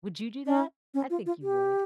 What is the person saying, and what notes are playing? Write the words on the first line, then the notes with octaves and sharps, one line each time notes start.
Would you do that? I think you would.
C#4
C#4
F4
F4
G4